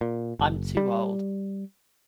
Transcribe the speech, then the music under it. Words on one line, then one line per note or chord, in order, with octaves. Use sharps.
I'm too old.
A#2
F#1
G3